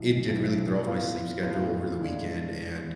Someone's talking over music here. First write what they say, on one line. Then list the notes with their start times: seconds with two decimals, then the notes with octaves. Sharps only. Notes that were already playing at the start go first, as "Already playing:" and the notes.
it did really throw off my sleep schedule over the weekend. And
Already playing: B1 A2 E3
0.28 B1 A2 E3
0.85 A2 F3 B3 F4
1.43 A2 F3 B3 F4
2.01 A2 G#3 D4 F4